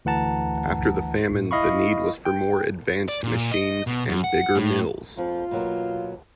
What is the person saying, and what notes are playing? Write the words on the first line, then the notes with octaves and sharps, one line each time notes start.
After the famine the need was for more advanced machines and bigger mills.
D2 E3 F#5 A5 A#5
A2
E4 D#5 F5 B5 C#6
G5
D5
A#2
D#5
B2
F#2
F#5
A2
F2 F3 F4
B2 F#3 A#3